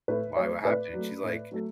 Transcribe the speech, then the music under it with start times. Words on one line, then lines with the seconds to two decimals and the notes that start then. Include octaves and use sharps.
why, what happened?" and she's like,
0.08 A2 B4
0.36 F#3 A3 C#5
0.65 A2 B4 D5
0.93 F#3 A3
1.23 A2
1.51 F#3 A3